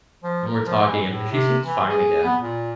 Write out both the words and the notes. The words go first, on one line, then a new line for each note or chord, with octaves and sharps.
and we're talking, and, eh, she seems fine again,
F3
A#4
F3
E3
A2
C3
E3
G#4
B3
A#2